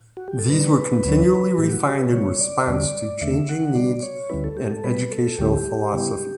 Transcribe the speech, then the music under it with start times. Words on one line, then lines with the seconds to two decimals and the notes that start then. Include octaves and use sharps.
These were continually refined in response to changing needs and educational philosophy.
0.17 F#4
0.28 G4
0.39 A4
0.50 D3 G3 D4 B4
1.05 D2 C#3 F#3 C#4
1.58 A2 F#3 A3 G4
1.73 F#4
1.86 G4
2.00 B4
2.13 C#3 G3 B3 C#5
2.40 D5
2.67 E2 D3 G3 C#4 D5
3.21 E2 D3 A3 D4 E5
3.49 F#5
3.75 C#3 G3 B3 D4 D5
4.03 C#5
4.30 D2 D3 G3 C#4 E4 B4
4.44 A4
4.57 G4
4.71 A4
4.84 B2 G3 B3 B4
5.11 A4
5.38 D2 D3 G3 C#4 E4 G4
5.93 C#3 G3 B3 E4